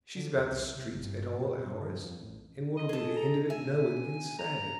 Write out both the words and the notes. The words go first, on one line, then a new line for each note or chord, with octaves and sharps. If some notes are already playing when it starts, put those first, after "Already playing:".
She's about the streets at all hours, and what'll be the end of it no one can say.
D3
E2
C2
C3
G1
G2
A#2
B2
G2
G2
F2
A1
D#5
G#4 A4
A#5
E5 G#5
A#5